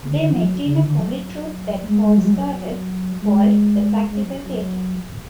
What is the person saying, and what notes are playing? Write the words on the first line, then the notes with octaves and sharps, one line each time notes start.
They met in a comedy troupe that Hall started, called "The Practical Theater".
C#3
D3
D3
F3
F#3
C#3
D3
D3
F#3
A3
G#3
G#3
F#3
G#3
F#3
G#3
G#3
F#3
F#3